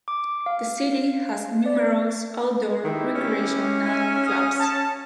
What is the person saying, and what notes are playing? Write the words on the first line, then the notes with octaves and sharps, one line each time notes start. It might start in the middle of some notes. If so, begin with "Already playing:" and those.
The city has numerous outdoor recreational clubs.
D6
F5
D5
D#3 E4 G4
C#4
D#4 E5 G#5
F5 G#5 D#6
A5